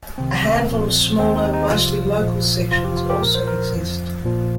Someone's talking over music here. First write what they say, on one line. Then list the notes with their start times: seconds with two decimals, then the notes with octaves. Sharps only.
A handful of smaller, mostly local sections also exist.
0.18 C2 C3 D#3 C4
0.69 A#1 A#2 F3
1.19 D#2 D#3 C4
1.36 D#4
1.54 D#4
1.70 C2 C3 F3 F4
2.21 A#1 A#2 F3
2.71 F2 C3 F3 F4
2.84 G4
2.97 F4
3.10 G4
3.22 A#1 A#2 F3 A#4
3.35 C5
3.48 A#4
3.73 G1 F2 F3
4.23 A#1 A#2 F3